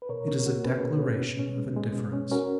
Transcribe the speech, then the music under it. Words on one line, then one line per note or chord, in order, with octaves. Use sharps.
It is a declaration of indifference.
B4
B2 A#4 C#5
B2 A#4 C#5
A#3 F#4
C#4 G#4 B4
B2
C#4
B2
C#4
G#3
G#3
B2
C#4
C#4 F#4 A#4